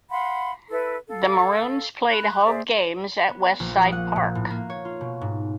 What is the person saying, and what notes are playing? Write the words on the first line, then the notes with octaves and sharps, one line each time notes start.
The Maroons played home games at West Side Park.
F5 F#5 B5 C6
E4 A4 B4
A4 F5
B5 F#6
G#4 C5 D5 E5
B3
A#1
D#6
F#5
A#2
A2
A#3
C#5
F4
B2
G#2